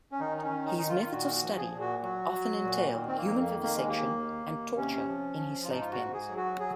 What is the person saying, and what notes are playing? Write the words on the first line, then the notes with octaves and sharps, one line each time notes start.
His methods of study often entail human vivisection and torture in his slave pens.
C#4
D#3 D#4
D#4
C#4
D#3
D#4
D#3 D#4
F4
F4
A#2 F#4
F#4
F3
G#4
A#2
F#4
F#3 F#4
F#3
A#2
D#3
C4
A#3
F2
A#3
D#3
A#3
G#3
D#2 A#3
D#2
D#2
C3 C#4
F3
F3
F4
G#2 D#4
F4
F#4
G#2
G#4
F#3
F#4
F#3 G#4